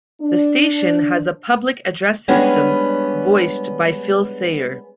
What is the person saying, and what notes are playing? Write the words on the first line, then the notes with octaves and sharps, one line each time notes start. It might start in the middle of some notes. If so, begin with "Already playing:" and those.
The station has a Public Address System voiced by Phil Sayer.
D4
G3 G#3 B3 C#4 D4 G#4